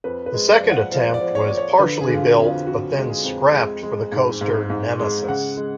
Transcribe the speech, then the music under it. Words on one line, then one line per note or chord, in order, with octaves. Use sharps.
The second attempt was partially built, but then scrapped for the coaster Nemesis.
F2 B4
B4
G#3
D5
F3
F#5
F3 F5
D5
F3
C#5
F3 D5
C#5
D3 B4
G#4
D3
F4
F#4
F2
F4
F2 F#4
G#3
G#4
F2
G#3
G#3
G#2
G#2
G#2
G#3
C#3 F#5
G#3